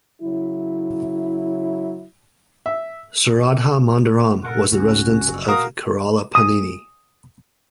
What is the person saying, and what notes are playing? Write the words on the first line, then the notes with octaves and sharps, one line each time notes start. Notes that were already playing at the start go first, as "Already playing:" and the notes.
Saradha Mandiram was the residence of Kerala Panini.
C#3 F#3 E4
E5
A#2 A4 A#4 F#5
C#2 G#2 C#4 F#4
F#1 G2
A#2 F#4 A#4 F5 D#6
D#6